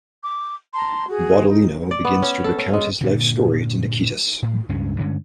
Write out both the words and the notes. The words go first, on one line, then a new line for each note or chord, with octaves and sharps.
Baudolino begins to recount his life story to Niketas.
D6
A5 A#5 C6
F#4 G#4
D#4
D5
B3
C#4
A4
C#4
G#3
G2 A#2 D3
A2
C#2 G2 G#3 C#4
G2 D3 G#3 C#4